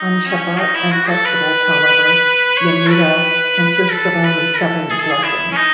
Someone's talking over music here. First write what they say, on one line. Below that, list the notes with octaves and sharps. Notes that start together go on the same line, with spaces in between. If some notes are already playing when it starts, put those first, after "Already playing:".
On Shabbat and festivals, however, the Amidah consists of only seven blessings.
Already playing: D#4
C#4
D#4
E4
F#4
A4
B4
C#5
A4
B4
A4
B4
A4
G#4
A4
G#4
E4
C#4
D#4